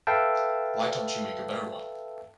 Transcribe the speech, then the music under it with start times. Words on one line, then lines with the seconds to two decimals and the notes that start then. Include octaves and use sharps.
Why don't you make a better one?
0.07 A4 B4 E5 F5 G5 A5